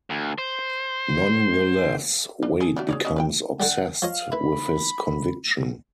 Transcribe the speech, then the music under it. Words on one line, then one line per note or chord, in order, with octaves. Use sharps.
Nonetheless, Wade becomes obsessed with his conviction.
D2
C5
D4
G#4 A4
F#3 A3 D4
G#4 C#5 D5
C#4 D#5
B4 D5 G5
D3 G3 F#5
F3 C#5 D#5 F5
E4 B4 B5